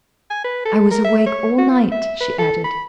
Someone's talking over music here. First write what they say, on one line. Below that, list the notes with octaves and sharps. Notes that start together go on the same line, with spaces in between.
"I was awake all night," she added.
G#5
B4
A4
A#4
E5
C#5
F#4
F4
E5
B4
A4
B5